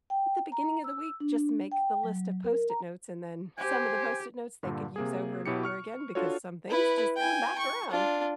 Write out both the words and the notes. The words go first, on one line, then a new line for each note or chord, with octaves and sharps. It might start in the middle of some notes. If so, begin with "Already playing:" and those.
at the beginning of the week, just make the list of Post-it notes and then some of the Post-it notes they could use over and over again because some things just come back around,
G5
A#5
E6
D4
G5
F#3
A#4
A#5
G4 C5 G#5
G2 A#2 D3
C3 A#3 G#4
B2 E4 G4 C#7
C#6 F6 C#7
D4 F4 F#4 A4 C#5
E4 B4
G5 G#5
C#6
D4 F4